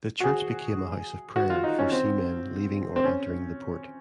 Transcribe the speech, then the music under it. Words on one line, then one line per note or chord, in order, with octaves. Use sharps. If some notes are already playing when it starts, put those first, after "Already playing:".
The church became a house of prayer for seamen leaving or entering the port.
F#4
G#4
F#4
F4
D#4
C#4
C4
C4
C#4